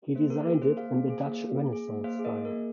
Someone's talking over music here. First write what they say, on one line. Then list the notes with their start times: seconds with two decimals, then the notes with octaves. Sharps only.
He designed it in the Dutch Renaissance style.
0.15 A#3 C5
0.30 G#4 A#4
0.47 G#4 A#4
0.62 A#3 C5
0.77 A#3 C5 F5
0.94 G#4
1.10 G#4
1.25 A#3
1.41 A#3
1.56 G#4
1.73 G#4
1.87 A#3
2.04 A#3 C5 F5
2.19 G#4
2.25 A#4 D#5
2.35 G#4
2.45 A#4
2.50 A#3